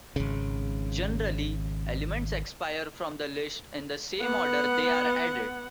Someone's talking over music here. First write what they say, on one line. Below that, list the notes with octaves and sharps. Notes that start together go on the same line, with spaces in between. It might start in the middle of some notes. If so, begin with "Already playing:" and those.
Generally, elements expire from the list in the same order they are added.
G#1 C#3
B3 F#5